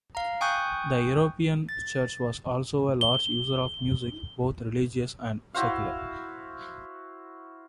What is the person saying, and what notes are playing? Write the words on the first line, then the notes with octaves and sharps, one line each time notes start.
The European Church was also a large user of music, both religious and secular.
F5 A#5
G5 G#5 C#6 D#6 F#6 G6
A6
G7
E4 F#4 C5 F5